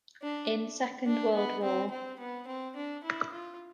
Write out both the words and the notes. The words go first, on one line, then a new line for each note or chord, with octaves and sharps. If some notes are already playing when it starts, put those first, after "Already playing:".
In Second World War.
D4
D4
B3
C4
C4
B3
C4
D4
E4
F4